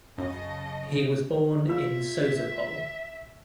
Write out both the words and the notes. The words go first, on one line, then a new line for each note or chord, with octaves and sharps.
He was born in Sozopol.
F#2 C#3 D#5 A5
F4 E5 E6